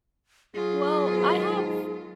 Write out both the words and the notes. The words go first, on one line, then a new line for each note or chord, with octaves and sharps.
Well, I have
F#3 F4 G#4
G#2 B2 D#3